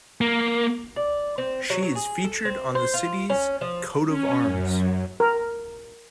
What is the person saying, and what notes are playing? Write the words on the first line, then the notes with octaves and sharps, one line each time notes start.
She is featured on the city's coat of arms.
A#3
D5
C4
F#3
F#3
G#4
A4
C4
C5
F4
C#4
F3
C#4
F#2
A#4